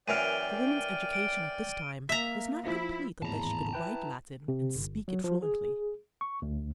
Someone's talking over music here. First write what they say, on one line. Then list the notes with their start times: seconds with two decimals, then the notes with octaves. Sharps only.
A woman's education, at this time, was not complete unless she could write Latin and speak it fluently.
0.08 F#2 E3 A#3 D5 G5 F6 D7 D#7
1.13 D7
2.09 A#3 E5 A#5 B6
2.66 F3 E4
3.22 G#1 E2 A2 A5 A#5
3.73 E4 B4 G5
4.48 C3
4.76 G1
5.08 F#3
5.24 F3
5.42 G#4
6.21 C#6
6.42 D2